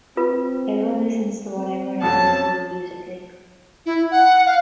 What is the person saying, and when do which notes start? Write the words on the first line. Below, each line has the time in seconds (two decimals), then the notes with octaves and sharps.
Everyone listens to what everyone else is doing musically.
0.17 C4 F4 B4
1.56 C4
2.02 F2 F#3 C#4 A5
3.86 E4
4.11 F#5
4.46 F5